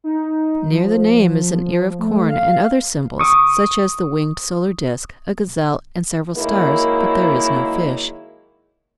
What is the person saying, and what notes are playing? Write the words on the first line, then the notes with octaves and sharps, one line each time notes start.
Near the name is an ear of corn, and other symbols, such as the winged solar disc, a gazelle, and several stars, but there is no fish.
D#4
F3
A3
F5
C#6 D#6
D#3 F#3 G#3 A#3 E4